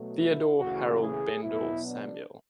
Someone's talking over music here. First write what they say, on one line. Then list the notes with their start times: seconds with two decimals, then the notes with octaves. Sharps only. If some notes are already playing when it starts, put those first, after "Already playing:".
Theodore Harold Bendor-Samuel.
Already playing: B2 F#3 A3
0.16 E4
0.58 C#3 E3 A3 F#4
1.01 G#4
1.42 B2 F#3 B3 E4
1.86 D4